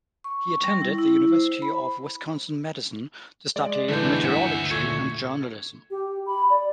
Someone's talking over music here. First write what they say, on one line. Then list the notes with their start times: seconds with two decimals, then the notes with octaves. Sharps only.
He attended the University of Wisconsin-Madison to study meteorology and journalism.
0.24 C#6
0.64 G3
0.82 E4
0.98 E4
1.32 C5
1.62 B5
3.56 G#3 D5
3.89 B2 D3 E3 A3 G6
4.24 D2 G2 E4 E5 F#5 G#5 C#7
4.70 A#2 D3 A3 C#6 G#6 C#7
5.90 G4
6.26 B5
6.50 D5